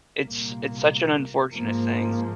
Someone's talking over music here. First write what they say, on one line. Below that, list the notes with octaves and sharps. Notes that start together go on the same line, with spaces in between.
it's it's such an unfortunate thing.
C2 A#2 A#3
G#2 F3 A#3